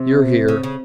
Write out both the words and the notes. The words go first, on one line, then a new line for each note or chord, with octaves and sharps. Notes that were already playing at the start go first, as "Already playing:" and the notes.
You're here!
Already playing: C3
C#3
C#3